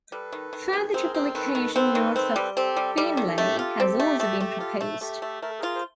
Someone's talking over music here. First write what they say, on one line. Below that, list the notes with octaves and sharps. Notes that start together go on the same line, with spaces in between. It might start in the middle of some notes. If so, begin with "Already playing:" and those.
Further triplication north of Beenleigh has also been proposed.
G3 A4 B4
D#3
D#3
D#3
C4 G#4 A#4
C4
D#3 A4 B4
D#3
C4 A4 B4
D#3
C4
G3
C4 G4 A4
G3
G3
D#3
A3
F4
C4
A3
A3
A3
F4
A3
A3 G4 A4
A3
A3 A#4
A4
F4 G#4 A#4
C5